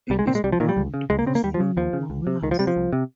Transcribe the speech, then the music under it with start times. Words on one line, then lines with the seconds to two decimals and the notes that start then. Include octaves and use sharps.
It is bowled by swing bowlers.
0.10 C2 G3
0.19 G#3
0.27 A#2 C4
0.35 G#3
0.44 C2 G3
0.52 F3
0.60 A#2 D#3
0.69 G3
0.77 C#2
0.94 C#3
1.10 C#2 G#3
1.19 A#3
1.26 C#3 C4
1.35 A#3
1.43 D#2 G3
1.54 F3
1.60 C#3
1.77 D#2 F3
1.93 C#3
2.10 C#2
2.27 C3
2.43 C#2 D#3
2.51 F3
2.59 C3 G3
2.67 F3
2.76 C2
2.93 C3